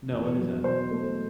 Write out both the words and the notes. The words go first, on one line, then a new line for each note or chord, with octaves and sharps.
No, what is that?
E2
F#3
B2 C5
A3